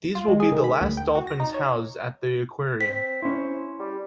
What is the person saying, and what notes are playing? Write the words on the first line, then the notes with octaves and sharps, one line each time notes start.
These will be the last dolphins housed at the aquarium.
F4
G#3
G#4
D#3
B5
D2
G5
F#4
A#6
D#4
C#5
C4 B6
C#4 E4 C5
G3